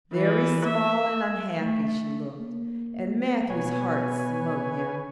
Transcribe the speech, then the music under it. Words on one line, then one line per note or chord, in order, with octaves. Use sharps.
Very small and unhappy she looked, and Matthew's heart smote him.
E3
E5
A3
A#3
B2 B4 C#5 G#5